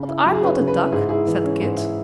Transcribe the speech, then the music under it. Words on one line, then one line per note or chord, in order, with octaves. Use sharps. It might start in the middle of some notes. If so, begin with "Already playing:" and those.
"But I'm not a duck," said Kit.
Already playing: C#3
E4
F#3
G#4
C#4 B4
C#3
B4
E4
G#2 G#4
E4 G#4
E3
C#4
G#2
E4